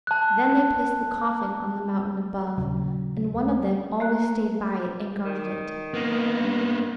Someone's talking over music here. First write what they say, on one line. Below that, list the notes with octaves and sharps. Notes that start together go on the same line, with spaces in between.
Then they placed the coffin on the mountain above, and one of them always stayed by it and guarded it.
A5 F#6
D#1 C#3 F#3 C#4
A3 A#3 F#6
D#3
A#3 B3
G2